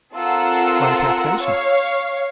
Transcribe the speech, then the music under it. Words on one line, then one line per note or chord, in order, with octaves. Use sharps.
By taxation.
C4 F4 A4 A#4 F#5 E6
C#5 F5